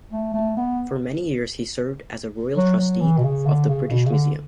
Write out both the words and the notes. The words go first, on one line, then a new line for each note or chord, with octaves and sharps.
For many years he served as Royal Trustee of the British Museum.
A3
A3
B3
F#3
F#3
E3
B2
C#3
D3
C#3
B2
C#3
D3